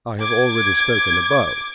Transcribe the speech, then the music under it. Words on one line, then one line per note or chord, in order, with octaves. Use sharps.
I have already spoken above.
D6 G#6